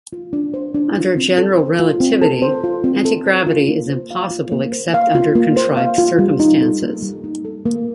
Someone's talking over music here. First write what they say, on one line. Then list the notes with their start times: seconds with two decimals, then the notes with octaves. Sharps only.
Under general relativity, anti-gravity is impossible except under contrived circumstances.
0.13 F4
0.33 D4
0.54 C5
0.74 D4
0.96 F4
1.17 C4
1.38 A4
1.59 C5
1.79 F4
2.00 C4
2.21 A4
2.42 C5
2.64 F4
2.84 C4
3.05 A4
3.26 C5
3.47 F4
3.68 A#3
3.89 C5
4.11 F5
4.31 F4
4.52 A#3
4.72 C5
4.94 F5
5.15 F4
5.35 A#3
5.57 C5
5.77 F5
5.98 F4
6.19 G3
6.40 D#4
6.62 A4
6.82 A#3
7.02 G3
7.24 D#4
7.45 A4
7.66 A#3